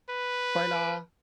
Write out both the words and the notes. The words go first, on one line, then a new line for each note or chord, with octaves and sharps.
Fight Lah!
B4